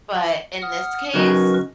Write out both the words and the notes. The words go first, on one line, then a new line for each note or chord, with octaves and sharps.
But in this case,
F#5 D#6 F6
C#3 F#3 D#4 A#4 B4 C#6